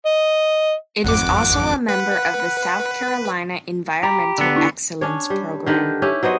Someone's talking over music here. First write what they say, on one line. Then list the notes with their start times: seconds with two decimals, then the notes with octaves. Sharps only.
It is also a member of the South Carolina Environmental Excellence Program.
0.06 D#5
1.04 G#1 F2 F#5 D6
1.89 B4 F#5
4.03 G4 A#5 B5 G#6
4.38 D3 B3
4.56 D4 E4 C#6
5.01 C#4 D4 C#5
5.30 G3
5.66 D3 D#3 G4 B4
6.02 C#4 E4 G4
6.23 F#3 B3 C5 D#5